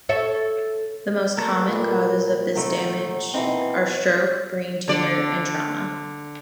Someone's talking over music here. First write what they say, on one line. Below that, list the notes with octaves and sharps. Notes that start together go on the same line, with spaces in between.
The most common causes of this damage are stroke, brain tumor, and trauma.
A4 C#5 E5
A3 A#3 B4
A#2 G3
C3 D#3 F#3 A3 F#5
B2 E3 C4 D#4 D#5
D3 D5